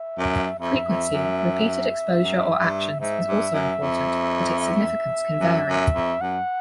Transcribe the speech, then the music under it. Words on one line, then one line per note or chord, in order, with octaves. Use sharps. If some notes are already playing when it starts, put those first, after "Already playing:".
Frequency, repeated exposure or actions, is also important, but its significance can vary.
Already playing: E5
F#2
F2 E5
F2
F#2
F#2
G2
G#2 E5
G2
F#2
F2
E5
F#2
F#2
F2
F#2 F#5